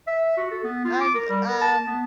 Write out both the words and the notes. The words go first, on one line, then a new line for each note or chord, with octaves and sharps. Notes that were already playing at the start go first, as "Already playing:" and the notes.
I'm, um,
E5
F#4
A4
B3
F4
D6
A#4
G3
A#4
A5
B3